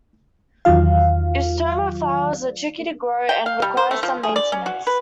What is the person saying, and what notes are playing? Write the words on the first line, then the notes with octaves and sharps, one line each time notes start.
"Eustoma" flowers are tricky to grow and require some maintenance.
E2 D#3 F#3 F4 F5
G5
F5
G3
C5
A3
F3
G#4
D5
C#4
F#4
B4